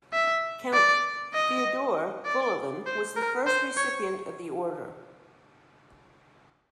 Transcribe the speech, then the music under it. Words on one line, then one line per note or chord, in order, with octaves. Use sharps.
Count Fyodor Golovin was the first recipient of the order.
E5
D5
D#5
D5
C5
A#4
C5
C#5